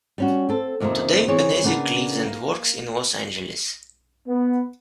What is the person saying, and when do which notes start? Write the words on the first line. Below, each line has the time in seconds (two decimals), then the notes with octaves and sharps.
Today Penezic lives and works in Los Angeles.
0.18 G3 C#4 F#4
0.49 C4 A4
0.80 F2 C3 D#3 G#3 A#3
1.28 E3 B3 C4 G#4 C#5
1.64 C#3 A#3 B3 D4
2.25 A#3
4.28 B3